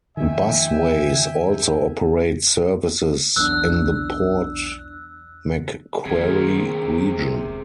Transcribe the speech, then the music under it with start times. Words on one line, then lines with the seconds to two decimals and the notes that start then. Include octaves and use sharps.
Busways also operate services in the Port Macquarie region.
0.17 F2 D#3 E5 G5 G#5
3.36 B1 E2 D4 E6 F#6
6.05 C3 D#3 A#3 G#4 A#4
7.43 E1